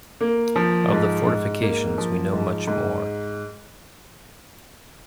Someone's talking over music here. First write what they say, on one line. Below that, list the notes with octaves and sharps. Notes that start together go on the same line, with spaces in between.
Of the fortifications we know much more.
A#3
F3
G#2
G#2
A#3
F3
G#2
G#2